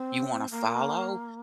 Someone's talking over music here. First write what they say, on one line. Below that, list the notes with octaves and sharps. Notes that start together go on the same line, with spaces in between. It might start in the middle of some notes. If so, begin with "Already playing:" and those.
you wanna follow
Already playing: C4
A#3